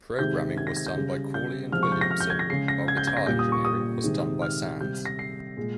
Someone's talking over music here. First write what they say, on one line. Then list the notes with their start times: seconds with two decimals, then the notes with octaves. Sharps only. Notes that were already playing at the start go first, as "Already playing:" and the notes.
Programming was done by Cooley and Williamson, while guitar engineering was done by Sands.
0.19 C3 D#3 G#3 G6
0.57 G#6
0.67 A#6
0.77 G#6
0.87 G6
0.95 C#3 G3
1.34 G6
1.72 C3 F3 G#3 F6
1.83 C#6
1.92 G6
2.01 A#6
2.11 F6
2.20 G6
2.30 G#6
2.39 A#6
2.49 C#3 G#3 C7
2.68 A#6
2.88 G#6
2.97 G6
3.07 G#6
3.17 A#6
3.26 A#2 G3 G6
3.39 D#6
3.52 C#6
3.65 D#6
4.03 C3 D#3 G#3
4.42 F6
4.80 C3 G3 G6
5.05 A#6
5.19 C7
5.57 A#2 G#3